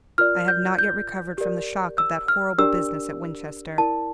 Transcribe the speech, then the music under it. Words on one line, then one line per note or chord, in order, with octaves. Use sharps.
I have not yet recovered from the shock of that horrible business at Winchester.
F4 A#4 D5 F6
G6
G6
G4 A#4 D5
E6
F6
D4 G4 A#4 D5 E6
E4 A#4 D5 A5